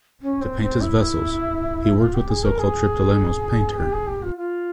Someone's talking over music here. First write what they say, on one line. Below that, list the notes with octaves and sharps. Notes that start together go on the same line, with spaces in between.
To paint his vessels, he worked with the so-called Triptolemos painter.
C#4
C4
C4
E4
F4
G4
G#4
A#4
G#4
G4
G#4
G4
F4
F4